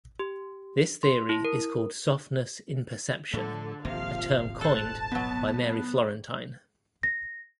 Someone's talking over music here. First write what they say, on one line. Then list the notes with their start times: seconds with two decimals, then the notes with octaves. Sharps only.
This theory is called "softness imperception", a term coined by Mary Florentine.
0.19 G4
1.03 C6
1.29 E4
1.45 A#4
3.33 A2 D3 F3 A4
3.85 D#1 G#1 C3 F3 A#3 F5
4.61 A4 C5 A5 F#6
5.12 B2 F#3 B3
7.03 A#6